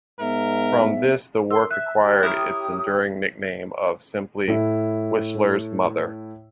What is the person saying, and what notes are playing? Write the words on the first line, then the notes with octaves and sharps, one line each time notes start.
From this the work acquired its enduring nickname of simply "Whistler's Mother".
G#2 B3 A#4 E5
A#4 C6 E6
E5 F#6
G4
E4 A#4 C#5 D#6
A2 E4